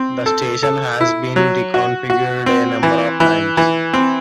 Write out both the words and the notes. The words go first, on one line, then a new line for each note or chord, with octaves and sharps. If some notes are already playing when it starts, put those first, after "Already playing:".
The station has been reconfigured a number of times.
Already playing: C4
A4
A4
E4
F#3
F#4
F#4
C4
E3
E3
E3
C4